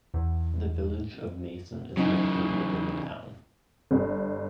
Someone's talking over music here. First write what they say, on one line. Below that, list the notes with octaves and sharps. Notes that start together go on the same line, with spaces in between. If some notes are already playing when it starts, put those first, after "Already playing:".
The Village of Mason is located within the town.
E2
C#3 E3 F#3 C#4 D#4
G1